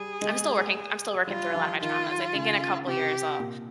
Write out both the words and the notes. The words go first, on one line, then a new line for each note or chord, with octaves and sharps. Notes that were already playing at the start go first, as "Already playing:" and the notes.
I'm still working I'm still working through a lot of my traumas; I think in a couple of years, I'll
Already playing: G3 G#4
G#3
G3 F4
F3
D#3 F4
C#3
C3 G4
A#2